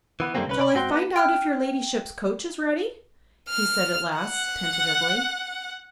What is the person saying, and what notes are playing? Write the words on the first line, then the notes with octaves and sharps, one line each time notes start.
"Shall I find out if your ladyship's coach is ready," he said at last, tentatively.
E3 B3
F#2 D3 G3 A3 A#3 C4
C2 C#4 B4
C3 D5 B5
G#2 C4 F#4 G5 C6
B3
G5 F6 F#6
F6
F#5